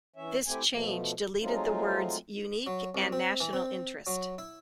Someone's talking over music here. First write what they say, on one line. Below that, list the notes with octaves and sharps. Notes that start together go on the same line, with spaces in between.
This change deleted the words "unique" and "national interest".
E3 C#4 C#5 E5
A3 C4 E4 G4 G#5
B2 F3 A3
F#3 G#3 A3 C4 D#4 F4
F#3
C2
C4
E3
C4
F#3
E4